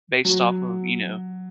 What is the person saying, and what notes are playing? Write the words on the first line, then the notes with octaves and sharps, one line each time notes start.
based off of, you know,
F#3